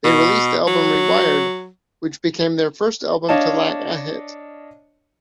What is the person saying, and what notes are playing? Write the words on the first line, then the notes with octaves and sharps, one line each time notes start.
They released the album "Rewired", which became their first album to lack a hit.
B2
F#3
D4 C#5 D#5 F5 A5